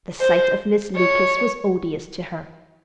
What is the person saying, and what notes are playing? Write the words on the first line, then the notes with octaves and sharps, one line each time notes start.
The sight of Miss Lucas was odious to her.
C5
C#5